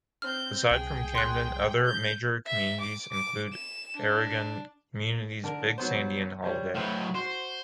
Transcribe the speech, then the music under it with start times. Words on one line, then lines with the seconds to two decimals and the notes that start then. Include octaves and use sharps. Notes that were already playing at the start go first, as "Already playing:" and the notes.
Aside from Camden, other major communities include agrarian communities Big Sandy and Holladay.
0.22 C4 F6 G6
0.70 C2 G#4 G5
1.15 C6 F#6
1.85 G6
2.46 E5
2.80 D6
3.11 D6
3.52 E7
3.96 D4
5.44 D3 D4 A#4
5.78 F#3 B3 C5
6.42 G3 C5 C#5
6.75 A2 F#3 B4 C5 F5
7.15 F#4 C5 F#5